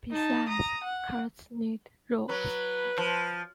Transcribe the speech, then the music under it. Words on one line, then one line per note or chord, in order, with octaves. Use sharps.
Besides, carts need roads.
D#4 A5
A#5 D#6
F#5
F#3 B4
F3